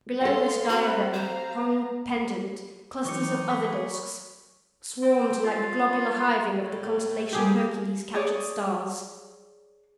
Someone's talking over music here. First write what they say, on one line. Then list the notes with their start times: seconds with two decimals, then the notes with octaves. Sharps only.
Below this diadem hung, pendent, clusters of other disks, swarmed like the globular hiving of the constellation Hercules' captured stars.
0.21 G#4 A4 F5 F#5 C6
0.69 C4 F#4 C5 E5 B5
1.14 C5 F5 A#5
3.05 D#3 E3 F#3 C4 D#4 C#6 D6 C#7
3.50 A#3 G#4 B5 C#6 B6
5.02 C4
5.44 F4
6.61 A2
7.33 G3 A3 F4 G4 G#4
8.15 G#4 C#5 D5